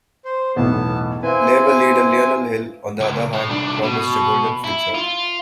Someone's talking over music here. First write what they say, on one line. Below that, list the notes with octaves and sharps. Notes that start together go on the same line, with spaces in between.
Labor leader Lionel Hill, on the other hand, promised a golden future.
C5
B1 E2 A2 B3 A5
C4 E4 B4 F5 G#5
C#2
A4 C#5
C2 D4
B2
E4
F4